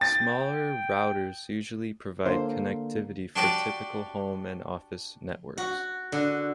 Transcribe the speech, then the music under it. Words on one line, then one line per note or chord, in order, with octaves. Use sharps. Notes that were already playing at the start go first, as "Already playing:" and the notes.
Smaller routers usually provide connectivity for typical home and office networks.
G5 A6
D3 A#3 C5
D4 F#4 G4 D5
F#4
D3